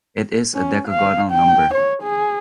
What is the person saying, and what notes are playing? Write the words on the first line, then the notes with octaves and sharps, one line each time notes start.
It is a decagonal number.
C#4
F5
G5
C#5
G#4